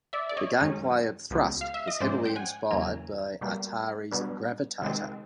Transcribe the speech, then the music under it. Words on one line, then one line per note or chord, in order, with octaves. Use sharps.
The gameplay of "Thrust" was heavily inspired by Atari's "Gravitar".
D5 E5
D5
C#5 D#5
F#2 D#3 G#3 C#4
C#2 B2 G#3
F5
E5
D#5
G#2 F3 G#3 C#4 C5 D5
G5
F#5 G#5
E2 C#3 F#3 A#3 C#4 G#5 A#5
B2 G3 A#3
B2 G3 B3 D4
C3 D#3 G#3 C4